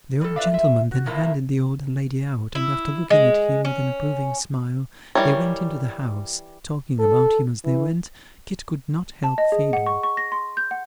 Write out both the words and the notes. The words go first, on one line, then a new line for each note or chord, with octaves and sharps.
The old gentleman then handed the old lady out, and after looking at him with an approving smile, they went into the house--talking about him as they went, Kit could not help feeling.
G3 A4
F4 B4 D5 E5 F5
F4 E5
F#4
E2 A2 C3 F3 A#3 E4
E4
G#3
C#4
E3 G3 D4 A#4 C#5
A4
E3
A5
D#5
G#4
F#5
C#6
C#6
A#6
C6
G6
F#5